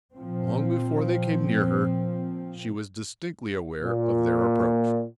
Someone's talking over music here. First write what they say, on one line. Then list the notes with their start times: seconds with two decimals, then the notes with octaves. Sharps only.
Long before they came near her, she was distinctly aware of their approach.
0.15 A#2 F3 C4
3.82 A#2